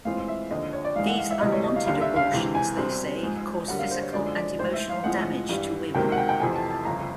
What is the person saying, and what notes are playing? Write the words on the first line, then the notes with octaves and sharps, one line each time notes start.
These unwanted abortions, they say, cause physical and emotional damage to women.
A2 E3 G#3 C4 F4 F5
E5
D#2 D3 F3 D#5
C#5
D5
G#2 E3 G#3 F5
F#5
F5
E5
D2 C3 E3 G3 D#5
C#5
D#5
F5
D#2 D3 G3 F5
E5
F5
C#2 C3 E3
G#5
C2 B2 G3 C4
G#2 F3 G#3
F#2 D3 G3 A#3 F#5
F5
C5
C#5
F#2 D3 F3 G#3 D5
D5
A1 G#2 E3 C5
E5
F5
A2 F3 G#3 C4 E4 F#5
G2 E3 G3
C#2 C3 D#3 F#3 A#3 G5
F#5
G5
G5
F1 F2 C3 E3 G#5
A5
A5
G1 F2 C#3 A#5